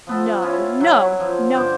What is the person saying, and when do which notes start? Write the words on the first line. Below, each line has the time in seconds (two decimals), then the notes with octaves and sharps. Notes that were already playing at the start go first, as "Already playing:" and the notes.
No, no, no!
0.07 F3 B3 A4
0.42 C#4 E4 F4
0.81 F#3 E4
1.20 F3
1.54 G2 D3 C5 D6